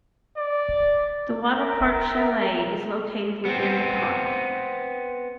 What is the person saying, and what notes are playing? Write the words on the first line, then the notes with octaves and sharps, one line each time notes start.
The Wattle Park Chalet is located within the park.
D5
A#4 E5 G5
B3 C4